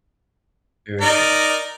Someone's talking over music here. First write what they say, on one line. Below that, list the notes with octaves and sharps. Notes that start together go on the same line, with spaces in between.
Very true.
D#4 A#4 D5